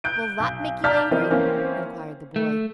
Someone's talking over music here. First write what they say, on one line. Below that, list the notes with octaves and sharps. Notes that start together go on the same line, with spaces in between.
"Will that make you angry?" inquired the boy.
F#6 G6 D7
B1
D5 A5 A#5 F6 G6 B6
E3 C4 A#4 D#5
E3 A#3 C4 C#4
A3